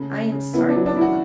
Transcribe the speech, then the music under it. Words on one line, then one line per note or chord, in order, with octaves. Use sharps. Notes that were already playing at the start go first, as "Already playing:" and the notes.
'I am sorry, papa.
Already playing: C#3 A3
C#3
C#3
B3 E4
D4
F#3
D4
E4 F#4